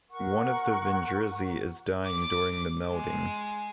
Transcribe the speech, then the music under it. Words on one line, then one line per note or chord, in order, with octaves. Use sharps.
One of the Vindrizi is dying during the melding.
A#4 F#5 C#6
D6
G#3